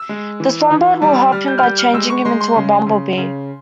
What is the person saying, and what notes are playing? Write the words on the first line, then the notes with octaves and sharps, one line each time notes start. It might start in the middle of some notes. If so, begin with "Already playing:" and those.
The Swan-Bird will help him by changing him into a bumblebee.
Already playing: E6
G#3
E3
E3
G3
G3 F6
G6
F6
G3 G6
F6
G#3 E6
C#6
G#3 C6
C6
C#3
C#3
C#3